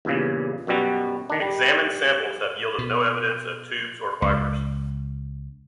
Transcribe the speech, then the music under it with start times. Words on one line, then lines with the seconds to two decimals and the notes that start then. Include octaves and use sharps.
Examined samples have yielded no evidence of tubes or fibres.
0.05 E2 G2 A#2 C#3
0.67 F#2 B2 G3 F#4
1.30 D#3 D4
1.42 G3
2.78 B2
4.22 C#2